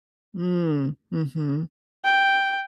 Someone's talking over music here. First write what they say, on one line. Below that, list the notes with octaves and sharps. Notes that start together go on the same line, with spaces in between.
Mm, mhm.
G5